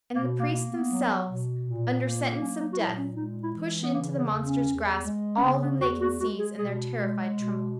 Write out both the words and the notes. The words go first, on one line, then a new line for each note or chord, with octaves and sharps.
And the priests, themselves under sentence of death, push into the monster's grasp all whom they can seize in their terrified, trembling fingers.
B2 A#3
A#3
A#3
B3
F#3
B2
A#2
A#3
F#3 C#4
D#4
F#4
A#2 E4
C#4
G#3 D#4
E4
E3
B3
C#3 A#3
B3
E2
C#4
E2
G#3
C#4
C#3 B3
B3
E2 F#4
F#4
G#3 F#4
G#4
B2 G#4
G#3
B2